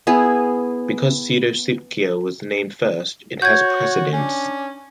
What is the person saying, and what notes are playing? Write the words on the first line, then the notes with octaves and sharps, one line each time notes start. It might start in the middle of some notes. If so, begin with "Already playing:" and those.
Because Pseudosuchia was named first, it has precedence.
B3 E4 G#4
F#4 C#5 G6 G#6
C#4 D4